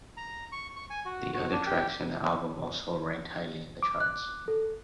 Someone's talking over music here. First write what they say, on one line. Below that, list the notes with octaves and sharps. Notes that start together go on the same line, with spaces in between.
The other tracks in the album also ranked highly in the charts.
A#5
C#6
C#6
G#5
F#4
F#4
D4
G4
D6
F#6
A4